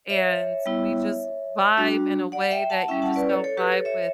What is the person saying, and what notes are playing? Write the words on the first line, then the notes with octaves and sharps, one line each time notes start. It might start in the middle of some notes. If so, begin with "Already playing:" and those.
and we just vibe in a way that you just don't vibe with
C#5 E5
G3 B3 E4
G3 D4 F#4
D5 F#5
E5 G5
F#5 A5
G3 C#4 E4 E5 G5
F#5 A5
B4 D5
A4 C#5
A4 C#5
G4 B4
A4 C#5
C#5 E5